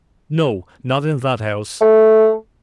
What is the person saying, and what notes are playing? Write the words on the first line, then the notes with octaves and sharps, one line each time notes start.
'No! not in that house!
A3